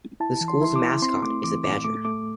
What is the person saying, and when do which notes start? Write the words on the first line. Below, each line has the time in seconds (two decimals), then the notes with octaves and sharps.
The school's mascot is a badger.
0.20 E4 A5
0.41 E3
0.48 C6
0.61 E4 C6
0.76 D6
0.82 E4
1.02 C4 C6
1.23 A3 D6
1.44 E3 D6
1.64 A2 D6
1.84 A3 D6
2.05 A3 D6